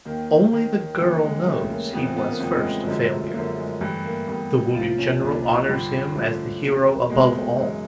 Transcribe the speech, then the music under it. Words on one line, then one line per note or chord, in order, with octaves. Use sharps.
Only the girl knows he was first a failure. The wounded general honors him as the hero above all.
D#2 D#3 A#3
D#2 D#3
D#2 C#3 E3 A3
G#3
D#2 C#3 E3 A3
A#3
F2 C#3 E3 B3
C4
B3
A#3
F2 C#3 E3 B3
G#3
A3
F#2 D3 F3 G#3
A3
A#3
F#2 D3 F3 A3
G#3
G2 E3 A3
A#3
G2 E3 B3
C2 A#2 F3 F4
C#4
C2 A#2 F3 D4
D#4
G2 D3 F3 D4
C#4
G2 D3 F3 A3
E2 B2
E2 B2 G#3
A3
F#2 C#3 E3 G#3